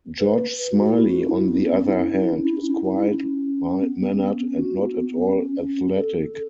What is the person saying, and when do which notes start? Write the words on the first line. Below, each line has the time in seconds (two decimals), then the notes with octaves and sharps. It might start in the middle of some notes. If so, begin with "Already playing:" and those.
George Smiley, on the other hand, is quiet, mild-mannered and not at all athletic.
0.19 B4
0.71 F#4
0.85 F#4
0.90 E4
1.09 F#4
1.23 C#4
1.29 E4
1.48 B3
1.68 C#4
1.79 C#4
1.88 E4
2.08 C#4
2.19 E4
2.33 C#4
2.45 E4
2.57 C#4
2.70 E4
2.83 C#4
2.95 E4
3.08 C#4
3.82 B3
4.02 C#4
4.21 B3
4.40 C#4
4.59 F#4
4.80 B3
4.99 B3
5.17 C#4
5.37 C#4
5.56 C#4
5.95 A4
6.34 A4